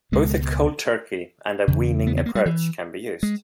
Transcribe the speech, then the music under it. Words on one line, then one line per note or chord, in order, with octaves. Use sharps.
Both a "cold turkey" and a "weaning" approach can be used.
C#2 B2 G#3
E2 C#3
B3
B3
A#3
G3
E3
G#3